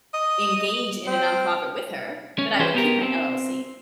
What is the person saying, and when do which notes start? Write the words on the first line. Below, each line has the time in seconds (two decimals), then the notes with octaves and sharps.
engage in a nonprofit with her, but I would keep my LLC.
0.14 D#5
1.07 C4
2.38 C#4
2.59 E3 G#4 B4 C5
2.75 B3 G4 A#4
3.01 C4